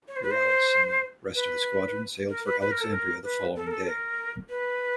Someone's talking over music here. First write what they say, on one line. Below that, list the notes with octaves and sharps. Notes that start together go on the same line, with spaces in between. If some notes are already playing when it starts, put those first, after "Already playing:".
"Euryalus" and the rest of the squadron sailed for Alexandria the following day.
C#5
C5
B4
C5
B4
A#4
B4
B4
A#4
A4
A#4
B4
A4
A#4
A4
A#4
B4